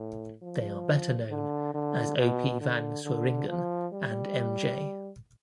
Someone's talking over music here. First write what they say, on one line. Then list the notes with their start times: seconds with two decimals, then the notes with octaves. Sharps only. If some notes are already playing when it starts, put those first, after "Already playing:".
They are better known as O. P. Van Sweringen and M. J.
Already playing: A2
0.42 F3
1.30 D3
1.74 D3
2.17 B2
2.60 D3
3.05 D3
3.48 F3
3.93 G3